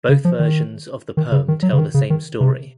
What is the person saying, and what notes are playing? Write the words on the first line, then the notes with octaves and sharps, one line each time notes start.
Both versions of the poem tell the same story.
C#3
F3
D#3
D#3
C#3
D#3
F#3
C#3
D#3
C#3
D#3
C3